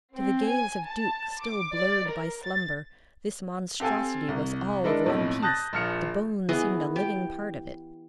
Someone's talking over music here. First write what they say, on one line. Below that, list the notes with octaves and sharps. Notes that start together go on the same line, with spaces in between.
To the gaze of Duke, still blurred by slumber, this monstrosity was all of one piece--the bone seemed a living part of it.
C4
G#5
A5
D6
D5
A#4
A6
C4 G4 A4 F5 G#5
C2
G#3 D4 E4 A4 A#4 D5
B1 F2 A2
A5 D#6 F#6 G6 A6 A#6
A#1 F3 F6 C#7
E3 B3 G#4 D#5
G4